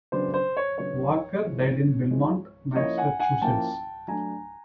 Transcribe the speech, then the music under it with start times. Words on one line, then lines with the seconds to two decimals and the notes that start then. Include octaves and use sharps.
Walker died in Belmont, Massachusetts.
0.12 C#3 F#3 B3 D4 C5
0.34 C5
0.57 C#5
0.78 C#3 F#3 B3 D4 C#5
1.45 F3 G#3 C4 E4
2.11 F3 G#3 C4 E4
2.76 F3 A#3 C#4 E4 C#5 D#5
2.98 F#5 G#5
3.20 F#5 G#5
3.42 F3 A#3 C#4 E4 G5 A5
4.08 F#3 A3 D4 G#5 A#5